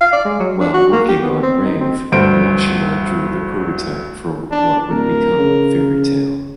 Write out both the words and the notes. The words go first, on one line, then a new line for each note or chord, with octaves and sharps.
While working on "Rave", Mashima drew the prototype for what would become "Fairy Tail".
F5
D5
G#3
F#3
D4
F#4
A#3
G4
B3
C4
D#4
C4
D2 G2 C5 D7
D4
D1 A#4
C#3